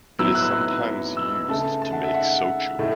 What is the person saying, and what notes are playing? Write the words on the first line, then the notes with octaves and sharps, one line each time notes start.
It is sometimes used to make shochu.
A2 F#3 B3 E6
F#6
E6
F#6
E6
C#3 A3 A5
A5
F#5
E5
F#5
A2 A3